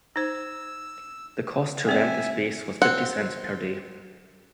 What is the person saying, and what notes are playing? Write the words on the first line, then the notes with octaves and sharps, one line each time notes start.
The cost to rent the space was fifty cents per day.
D#4 C5 E6
A#3 C4 D5 E5 G#5
C4 F#5